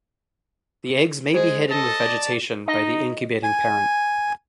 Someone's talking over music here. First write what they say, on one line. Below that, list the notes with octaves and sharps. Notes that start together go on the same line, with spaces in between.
The eggs may be hidden with vegetation by the incubating parent.
G#3 G#4 C5
A4 D#5 A5
D5
D#4 D#5
G#5